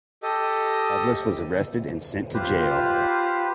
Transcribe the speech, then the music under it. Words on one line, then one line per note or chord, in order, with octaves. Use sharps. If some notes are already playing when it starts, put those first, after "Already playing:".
Loveless was arrested and sent to jail.
G4 A4 D#5
F4 G4 B4 C5